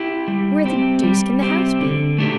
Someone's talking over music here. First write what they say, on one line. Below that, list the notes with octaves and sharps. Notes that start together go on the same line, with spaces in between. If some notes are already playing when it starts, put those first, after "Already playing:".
Where the deuce can the house be?
Already playing: E4 G4
G3
C4 G4
G3
C4 G4
D3
A3 D4 G4